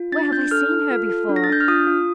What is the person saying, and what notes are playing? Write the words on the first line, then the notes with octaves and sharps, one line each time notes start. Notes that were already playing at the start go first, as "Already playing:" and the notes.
Where have I seen her before?
Already playing: F4
D4 A6
D4 G6
A4 F6
A4
F4
A4
D4
A#6
A6
D4 G6
F6
F4 D#6
F4